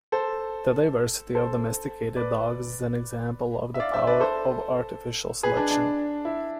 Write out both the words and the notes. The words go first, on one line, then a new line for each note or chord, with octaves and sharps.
The diversity of domesticated dogs is an example of the power of artificial selection.
A4 C5
A4 C5
B4 D5
E5
D5 F5
C5 E5
B4 D5
A4 C5
G#4 B4
D4
D4
E4